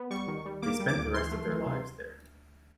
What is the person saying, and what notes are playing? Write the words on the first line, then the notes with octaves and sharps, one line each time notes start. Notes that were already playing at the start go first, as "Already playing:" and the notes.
They spent the rest of their lives there.
Already playing: B3
G3 C#6
D#3
G3
A#3 D6
G3
D6
D2
E3 C6
A3
E3
C3